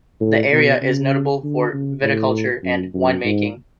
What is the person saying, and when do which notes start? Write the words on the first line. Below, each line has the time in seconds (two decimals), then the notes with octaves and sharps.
The area is notable for viticulture and winemaking.
0.20 A2
0.52 B2
0.81 C#3
1.43 D3
1.73 C#3
2.03 A2
2.63 F#2
2.94 F#2
3.24 G#2